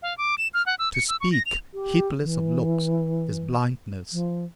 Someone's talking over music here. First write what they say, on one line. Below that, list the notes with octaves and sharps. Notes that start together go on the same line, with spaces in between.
To speak heedless of looks is blindness.
F5
D6
E7
F6
F#5
E6
C#7
E6
C#6
A#6
F7
G4
E3
F3